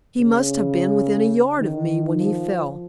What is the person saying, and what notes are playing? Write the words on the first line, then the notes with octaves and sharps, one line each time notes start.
He must have been within a yard of me when he fell.
C#3
D#3
F3